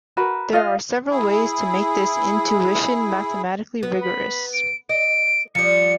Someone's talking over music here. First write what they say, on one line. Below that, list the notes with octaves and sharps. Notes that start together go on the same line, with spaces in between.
There are several ways to make this intuition mathematically rigorous.
F#4 A#4 B4
F4 D#5 F5
E4 G#4
B3
B5
D7
D#5 D7
F3 G3 C#7